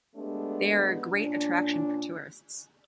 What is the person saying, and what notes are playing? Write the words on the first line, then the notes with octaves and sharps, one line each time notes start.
They are a great attraction for tourists.
G#3 A3 B3 D4 G4
A#2 C#4 D4